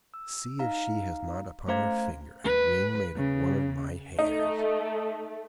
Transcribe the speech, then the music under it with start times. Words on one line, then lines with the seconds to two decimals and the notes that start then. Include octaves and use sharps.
See if she has not upon her finger a ring made of one of my hairs.
0.14 E6
0.59 D#4 F5 A#5
1.67 A3 C#4 C5 F5 A#5 G#6
2.45 B4
3.16 C#3
4.19 A3 D#4